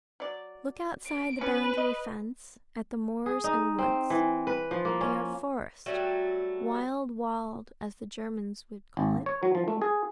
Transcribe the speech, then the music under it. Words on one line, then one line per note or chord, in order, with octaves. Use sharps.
Look outside the boundary fence, at the moors and woods; they are forest, Wild--"Wald," as the Germans would call it.
F#3 D5
D7
F3 C#4 B4
D#5
G#4
D#4
C4
E3
B4
F3
A#3
C#4
F#3 G3 A3
G#1
C#5
F#3
F3
A3
G#4